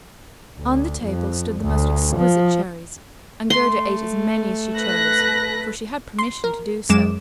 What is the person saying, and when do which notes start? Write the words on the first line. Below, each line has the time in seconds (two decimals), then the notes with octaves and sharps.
On the table stood the most exquisite cherries, and Gerda ate as many as she chose, for she had permission to do so.
0.58 D2
1.04 F2
1.62 D2
2.18 F3
3.50 A3 C6
4.77 A4 B4 F#6 A#6
6.19 C6
6.44 A#4
6.89 F#2 G#3 D6 E7